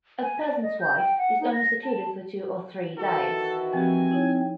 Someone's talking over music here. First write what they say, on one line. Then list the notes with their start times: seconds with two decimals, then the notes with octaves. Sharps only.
A peasant’s wife is only secluded for two or three days.
0.22 G#5
0.42 D5
0.62 D#5
0.81 G6
0.97 G5
1.18 F#5
1.41 D#4
1.53 A#6
1.84 A5
2.99 D#3 E3 F#4 A4
3.74 F3 C4 G4 G#5
4.11 D#4 E4 C#5